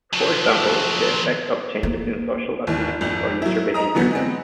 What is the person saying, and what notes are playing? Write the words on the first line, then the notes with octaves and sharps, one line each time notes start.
For example, the effects of changes in social activity or user behavior.
F3 F#3
A#3
G#1 D#2 E3
G#1 F2
F#3 E4
D#5 A#5 D#6
D3 E3 F#3 B3 F#4
G#3 B3 C4